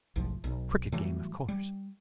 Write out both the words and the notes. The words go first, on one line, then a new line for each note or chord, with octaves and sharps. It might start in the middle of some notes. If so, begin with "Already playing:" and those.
A crooked game, of course.
F#1 B1 A2 F3
B1
A2 E3 F#3 G3
G3